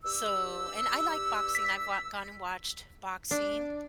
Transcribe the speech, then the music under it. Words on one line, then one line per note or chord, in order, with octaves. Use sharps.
So, and I like boxing, I've wa gone and watched boxing,
G2 G4 E6
B6
D4